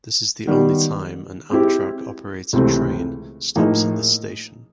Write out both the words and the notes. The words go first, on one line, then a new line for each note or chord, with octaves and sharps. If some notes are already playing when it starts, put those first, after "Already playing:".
This is the only time an Amtrak operated train stops at this station.
D#3 G3 B3
G#3 C4 E4 G4
C#2 C3 E3 A3 C4
A2 F3 A#3 D#4 G#4